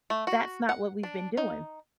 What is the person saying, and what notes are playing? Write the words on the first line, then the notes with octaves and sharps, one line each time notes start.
That's not what we've been doing.
A3
F#4
F#5
D4
D#4